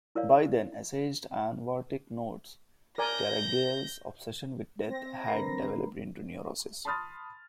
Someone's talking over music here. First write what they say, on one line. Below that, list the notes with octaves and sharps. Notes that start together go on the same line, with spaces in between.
By then, essayist Ion Vartic notes, Caragiale's obsession with death had developed into "neurosis".
E4 A#4 C#5 D5 F5
A#4 D5 G#5 G6 A#6
C4 A#6
D3 A#4 B4 A#5 B5 C7
A5 B5 C6 D#6 F6 A6